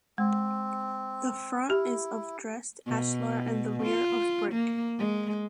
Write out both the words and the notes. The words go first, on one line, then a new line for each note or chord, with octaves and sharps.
The front is of dressed ashlar and the rear of brick.
G#3 C4
E4 G4
B2
F4
A#3
G#3